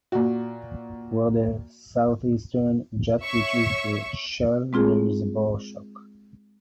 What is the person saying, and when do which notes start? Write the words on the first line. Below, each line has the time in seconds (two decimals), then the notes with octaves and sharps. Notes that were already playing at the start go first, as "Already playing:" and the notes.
Where the southeastern jet reaches the shell there is a bow-shock.
0.12 A#2 F#4
3.24 C#5 E5 C#6 E6
4.73 G#3 C4 F4 G#4